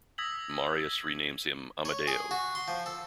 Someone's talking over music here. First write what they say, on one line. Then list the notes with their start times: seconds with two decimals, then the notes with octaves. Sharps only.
Marius renames him Amadeo.
0.18 D#6 E6 G#6 A#6 B6 F#7
1.85 C#5
2.07 G#4
2.31 F#4
2.55 C6
2.68 F3
2.86 A4